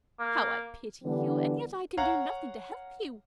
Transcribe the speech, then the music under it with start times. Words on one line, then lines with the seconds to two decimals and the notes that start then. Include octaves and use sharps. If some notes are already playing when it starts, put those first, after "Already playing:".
How I pity you; and yet I can do nothing to help you!
0.20 A#3
1.03 D3 E3 G3 B3 D4
1.97 C#5 F5 F#5 A#5